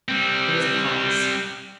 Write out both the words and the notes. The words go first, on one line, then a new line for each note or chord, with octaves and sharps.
There was a pause.
G3 C4